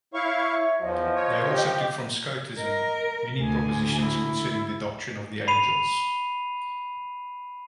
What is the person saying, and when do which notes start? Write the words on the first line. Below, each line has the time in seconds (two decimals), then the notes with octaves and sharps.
They also took from Scotism many propositions concerning the doctrine of the angels.
0.14 E4 C#5 F5 C#6
0.53 E5
0.82 E2 F3 D#5
1.15 C#5
1.52 G4
2.58 A#4 D#5
3.40 D2 G#5
4.01 E4
5.48 B5 C7 D#7 F7